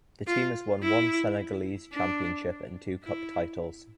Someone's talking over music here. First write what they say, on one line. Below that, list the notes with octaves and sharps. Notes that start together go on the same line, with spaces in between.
The team has won one Senegalese championship and two Cup titles.
F4
E4
D4
E4